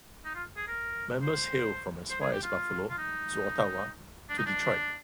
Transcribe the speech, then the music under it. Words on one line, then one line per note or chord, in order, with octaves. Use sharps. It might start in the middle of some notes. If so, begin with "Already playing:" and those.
Members hail from as far as Buffalo, to Ottawa, to Detroit.
D#4
F4
G#4
A#4
C5
C5
G#4
G4
F4
F4
D#4
D4
D#4
D4